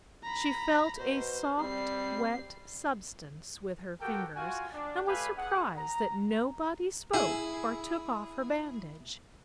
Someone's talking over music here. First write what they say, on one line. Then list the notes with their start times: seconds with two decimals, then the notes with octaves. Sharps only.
She felt a soft wet substance with her fingers and was surprised that nobody spoke or took off her bandage.
0.23 A#5 B5
0.99 B2 C5
1.60 G3 C4 C7
4.01 F#4 G4 A4 A#4 G5
4.36 F4 F#4 G#5
4.73 D4
5.08 A3 G4 B4 F5 G#5 B5
5.37 G#4 F#5
5.78 A#5
7.14 E4 G#4